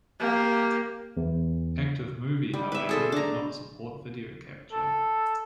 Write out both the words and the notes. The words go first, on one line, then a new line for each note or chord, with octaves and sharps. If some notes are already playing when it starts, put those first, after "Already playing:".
ActiveMovie, however, did not support video capture.
A#3 G4
E2
G3
B4 E5
G#4 A4 C5
D4 A#5
A4